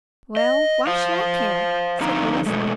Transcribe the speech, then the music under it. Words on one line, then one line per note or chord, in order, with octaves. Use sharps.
"Well, why should I care?" said Louis.
D#5
C5 F5
F2 D3 C4 D#4 F5 A#5
B2 G#3 A3